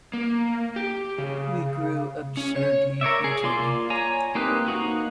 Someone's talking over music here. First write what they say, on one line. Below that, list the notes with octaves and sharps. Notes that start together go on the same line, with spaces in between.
We grew absurdly heated.
A#3
G4
C#3
C#4
C#5
A#4 C#5 D5 E5
G#4
A#3 F4 D5 C6 D6
C#5 G#5 A#5
A#3 C4 D#4 G4 B4
A#3 D#4 F#4